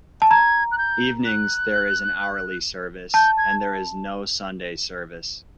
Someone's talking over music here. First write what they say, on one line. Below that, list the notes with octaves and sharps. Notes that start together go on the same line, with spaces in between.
Evenings there is an hourly service and there is no Sunday service.
A5
A#5 G#6
F#6
G6
F#6
A5 G6
G#6